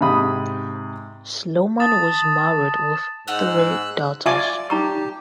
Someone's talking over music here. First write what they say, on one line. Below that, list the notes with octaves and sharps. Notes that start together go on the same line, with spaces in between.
Sloman was married with three daughters.
G#2 C3 B5 D#6
A5 D#6 A6
G#2 D#4 F#5 E6 F#6
F4 D5 E5 G#5 A5 C#6 D6
D#4 G4 A#5 C#6